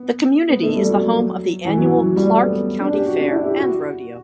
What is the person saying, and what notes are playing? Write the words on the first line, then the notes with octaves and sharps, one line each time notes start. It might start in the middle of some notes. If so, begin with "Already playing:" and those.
The community is the home of the annual Clark County Fair and Rodeo.
Already playing: B3
B3
A3
G3
F#3
E3
F#3
E3
F#3
G3
A3
B3
D4
G4
F#4
D4
E4
G4
F#4